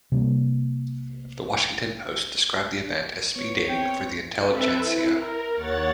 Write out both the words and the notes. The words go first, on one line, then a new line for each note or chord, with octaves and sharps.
The Washington Post described the event as speed dating for the intelligentsia.
C3 G3 A3 A#3
B3 C#5
C4 G5
C4 A4 B4 E5
E4
A#4
D#2 C#5 F#5 A6